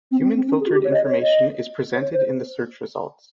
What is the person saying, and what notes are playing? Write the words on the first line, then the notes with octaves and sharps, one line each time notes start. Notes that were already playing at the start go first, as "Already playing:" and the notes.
Human filtered information is presented in the search results.
C4
C4
C4
C#4
G#4
F4
G4
C#5
D#5
C#5
D#5
C#5
C5